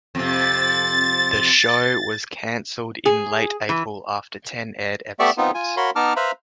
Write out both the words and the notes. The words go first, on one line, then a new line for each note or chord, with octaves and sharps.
The show was canceled in late-April after ten aired episodes.
F2 C3 A6
G#4
E3
A3 B3 G4 D5 E5 C#6
B3 C4 D#4 F4
F4 G#5
F#4 A#4 C#5 F5 B5 C6
B3 D#4 A5 A#5 D6 F6
B4 C5 E5 F5 A#5 B5